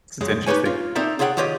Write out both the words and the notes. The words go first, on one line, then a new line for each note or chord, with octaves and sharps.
This is interesting.
C#2 F#2 G#3
D#4 G4 B4 C#5 G#5
F4
C4 D#4 A4 A#4 D5 E5
F4 G#4 C#5 E5 F#5 G5
D#3 F4 G4 C#5 D#5